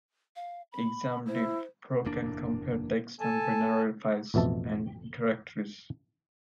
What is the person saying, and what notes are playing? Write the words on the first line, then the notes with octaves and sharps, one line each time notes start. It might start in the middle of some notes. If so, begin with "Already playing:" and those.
ExamDiff Pro can compare text and binary files, and directories.
F5
B5
E4 C5
F#1 E2 A#3 D4
A4 G#5 A5
A1 F2 B2 E5 A5